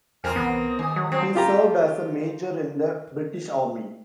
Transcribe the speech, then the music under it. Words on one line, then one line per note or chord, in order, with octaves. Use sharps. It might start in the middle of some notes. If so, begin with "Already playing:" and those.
He served as a Major in the British Army.
F2 A#3 C4 A#4 G#5 F6
C2 E3 B3 D#6
G#2 D#3 G#5
F#3
F#3 C4
F4 G4 A#5